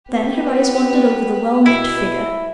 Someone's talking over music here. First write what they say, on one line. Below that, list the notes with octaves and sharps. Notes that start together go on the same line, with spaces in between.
Then her eyes wandered over the well-knit figure.
B3 G4 B4
B2 E4